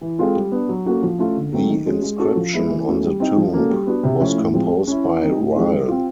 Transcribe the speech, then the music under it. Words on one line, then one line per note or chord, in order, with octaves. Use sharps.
The inscription on the tomb was composed by Ryle.
E3
G#3 C4 F4 A4
G3
B3 D4
F#3
A#3 C#4 F#4 A4
F3
A3 C#4 F4 A4
D3
F#3 A3 C4
D#3
G#3 C#4 F#4
G#3
C#4 F#4 A4
F3
G#3 B3 E4
E3
A3 C#4 F#4
G3
C4 D#4
F3
A#3 C#4 F#4 A4
G3
B3 D4 F#4
C3
F3 A3 C#4 E4
A2
F3 G#3 C4
G#3
C#4 E4
E3
G3 C4 D#4 G4
A2
F3 G#3 C4 D#4
G3
C4 F4